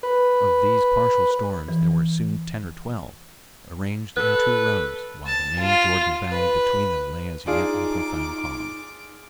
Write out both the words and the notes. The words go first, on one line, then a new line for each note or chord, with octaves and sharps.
Of these partial storms there were soon ten or twelve, arranged in two rows, while the main Jordan Valley between them lay as yet in profound calm.
B4
E3
A4 B4
A5
F4
B4
D4 D#4 F4 G#4 D6